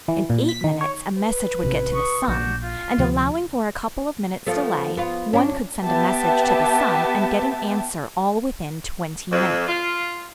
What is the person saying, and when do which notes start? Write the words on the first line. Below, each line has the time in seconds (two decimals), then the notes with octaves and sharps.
In eight minutes a message would get to the sun, and allowing for a couple of minutes' delay, one could send a message to the sun and get an answer all within twenty minutes.
0.08 E3
0.30 A#2
0.49 B6
0.64 D#3
0.81 C#5
1.17 B4
1.63 A1 C3
1.93 C#6 D#6
2.28 A#1 D4 F#4 G6
2.62 F4
2.98 D2 C3 F3
4.46 F3 A3 B3
4.97 B3 F4
5.33 C#4 D4
5.85 B3 G4 E5 A5
9.32 F2
9.67 F4